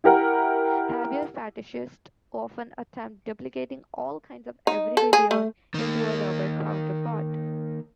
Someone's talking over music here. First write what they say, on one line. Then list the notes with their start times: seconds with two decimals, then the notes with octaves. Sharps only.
Heavier fetishists often attempt duplicating all kinds of "everyday wear" into a rubber counterpart.
0.04 E4 G4 A#4 F#5
4.67 D#4
4.97 A4
5.13 G#4
5.31 A3
5.74 D#3 A#3